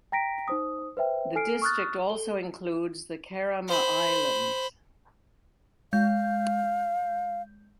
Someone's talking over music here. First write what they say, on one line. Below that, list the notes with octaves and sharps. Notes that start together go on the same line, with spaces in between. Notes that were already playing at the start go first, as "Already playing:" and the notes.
The district also includes the Kerama Islands.
G5 A#5 A#6 B6 D7
D#4 C5 D#6
B4 C5 E5 G5
A4 G#5 F6 C7 D7
C#6 D#6 F6 F#6 A6
A4 G7
C5 B5
G#3 F5 G6